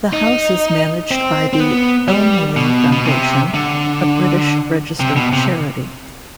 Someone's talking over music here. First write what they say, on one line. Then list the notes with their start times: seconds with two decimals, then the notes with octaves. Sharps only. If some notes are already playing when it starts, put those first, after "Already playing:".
The house is managed by the Elmley Foundation, a British registered charity.
0.13 D#4
1.11 C4
1.53 C4
1.60 B3
2.08 G3
2.57 B2
2.92 B2
3.05 C3
3.54 D3
5.00 C3
5.16 B2
5.33 C3